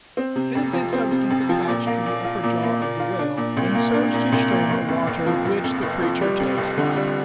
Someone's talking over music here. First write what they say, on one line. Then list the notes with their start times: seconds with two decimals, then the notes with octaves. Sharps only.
It is a substance attached to the upper jaw of the whale, and serves to strain the water which the creature takes up.
0.17 C4
0.36 C3
0.55 F2
0.73 F3
0.93 C4
1.11 C3
1.30 F2
1.49 F3
1.67 A#2
1.87 A#3
2.06 A#2
2.24 F4
2.43 A#2
2.63 A#3
2.81 A#2
3.00 F4
3.19 D4
3.37 A#2
3.57 C2
3.75 A#3
3.94 D4
4.14 A#2
4.32 C2
4.51 A#3
4.70 F1
4.88 F2
5.07 F1
5.26 F3
5.45 F1
5.64 F2
5.83 F1
6.02 F3
6.21 G3
6.40 F2
6.58 F1
6.78 D3
6.96 G3